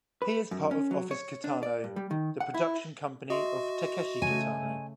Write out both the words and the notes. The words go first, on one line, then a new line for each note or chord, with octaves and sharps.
He is part of Office Kitano, the production company of Takeshi Kitano.
B4
F#2
C#4
F#3
C#5
D4
D5
G2
G3
D#3
F#5
E4
F#4 D#5 E5 C6
C#3 A3 G#5